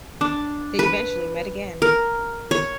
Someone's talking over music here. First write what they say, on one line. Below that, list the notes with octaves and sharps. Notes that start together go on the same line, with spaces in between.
They eventually met again.
D4
B4
A#4
C#5